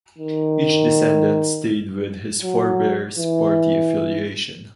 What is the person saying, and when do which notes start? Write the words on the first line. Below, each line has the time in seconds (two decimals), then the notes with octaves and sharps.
Each descendant stayed with his forebear's party affiliation.
0.18 D#3
2.43 F#3
3.18 E3